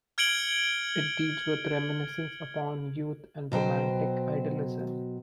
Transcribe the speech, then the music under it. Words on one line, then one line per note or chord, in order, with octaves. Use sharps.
It deals with reminiscence upon youth and romantic idealism.
F6 G#6 C#7 D7 F#7 G7
B2 F#3 C5 G5